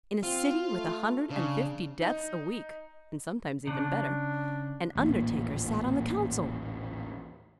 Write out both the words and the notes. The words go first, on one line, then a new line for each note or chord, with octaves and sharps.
In a city with a hundred and fifty deaths a week, and sometimes even better, an undertaker sat on the council!
C4 F4
A3
C#3 D4
D#4
C#3 D4
A1 D#2 A#2